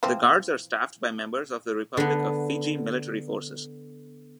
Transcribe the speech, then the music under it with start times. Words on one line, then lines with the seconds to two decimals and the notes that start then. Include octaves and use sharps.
The guards are staffed by members of the Republic of Fiji Military Forces.
0.03 E3 F3 C4
1.97 D3 B3